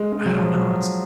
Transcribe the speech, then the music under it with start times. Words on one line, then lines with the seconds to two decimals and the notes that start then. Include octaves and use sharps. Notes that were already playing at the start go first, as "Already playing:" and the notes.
I don't know. It's
Already playing: G#3
0.12 G#3
0.26 F#3
0.39 F3
0.53 F#3